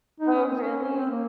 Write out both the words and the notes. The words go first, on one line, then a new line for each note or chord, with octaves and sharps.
Oh, really?
D#4
C#4
C4
C#4
C#4
C4
A#3